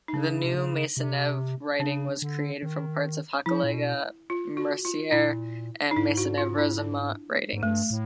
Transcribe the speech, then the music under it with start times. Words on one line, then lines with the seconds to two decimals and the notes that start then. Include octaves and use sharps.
The new Maisonneuve riding was created from parts of Hochelaga, Mercier and Maisonneuve-Rosemont ridings.
0.08 D#4
0.13 C#3 D4
0.44 C3
0.55 C#3
0.97 C3
1.80 C#3 D4
2.22 D3
2.63 D#3
3.46 F3 E4
3.64 A#2
3.74 B2
4.30 F4
4.57 F#4
4.85 F4
5.12 A#2 E4
5.91 D#4
5.97 G#2 E4
6.17 F#4
6.38 F4
6.58 E4
6.79 D4
7.53 G#2
7.63 G2 A3
7.90 A2